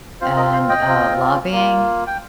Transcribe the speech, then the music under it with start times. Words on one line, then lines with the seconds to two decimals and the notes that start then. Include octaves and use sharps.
and, uh, lobbying.
0.21 C4 F4 C5
0.37 A#4 D#5
0.53 C5 F5
0.69 D#5 G5
0.86 C4 F4
1.52 A#3 F4
2.07 G5